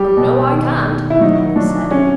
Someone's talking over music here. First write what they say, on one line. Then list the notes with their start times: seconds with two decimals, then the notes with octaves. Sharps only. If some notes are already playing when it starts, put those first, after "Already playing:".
"Oh, no, I can't!" the bunny said.
Already playing: G3 G4
0.17 B2
0.52 D#3
0.86 D#3
1.10 E4
1.21 F#3 D#4
1.56 F#3 D4
1.91 C3 C#4